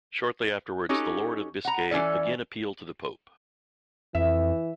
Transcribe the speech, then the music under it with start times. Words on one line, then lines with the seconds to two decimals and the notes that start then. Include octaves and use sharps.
Shortly afterwards, the Lord of Biscay again appealed to the Pope.
0.89 C#4 D#4 F#4 G4 A4
1.65 F#5 A#5
1.91 E3 G#3 C#4 A4 D5
4.15 F2 E3 E5